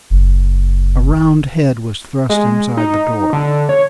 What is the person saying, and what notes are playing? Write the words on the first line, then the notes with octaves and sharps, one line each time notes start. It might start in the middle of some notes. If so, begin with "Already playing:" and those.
A round head was thrust inside the door.
F#1
G#3
D#4
D3
C#5